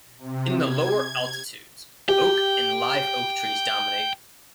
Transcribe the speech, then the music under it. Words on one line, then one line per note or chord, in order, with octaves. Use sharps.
In the lower altitudes, oak and live oak trees dominate.
C3
G#6
G4 G5